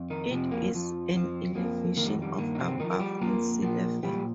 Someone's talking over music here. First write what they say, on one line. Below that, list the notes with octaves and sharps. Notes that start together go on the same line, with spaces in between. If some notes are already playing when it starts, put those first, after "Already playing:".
It is at an elevation of above mean sea level.
Already playing: F2
D#3 D#4
F2 C3 F3 C4
A#3
F2 F3
F2 F3
F2 F3 A#3
F2 D#3 A#3
G3
G3
G2 D#3 A#3
D#4
C3 C4
A#2 D#3 F3 D#4
A#4
G3 G4
F2 F3 A#3 A#4
A#2 F3
A#2 F3 G3 G4